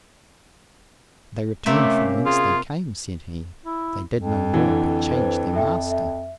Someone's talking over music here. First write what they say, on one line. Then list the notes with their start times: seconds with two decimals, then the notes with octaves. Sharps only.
They returned from whence they came, said he; they did no more but change their master.
1.66 C3 A3 A#3 C#4 E5
2.26 F4 G#4
3.66 E4
4.15 F2
4.54 D3 E3
5.12 B4 C5
5.54 A4 E5 G5
5.91 E5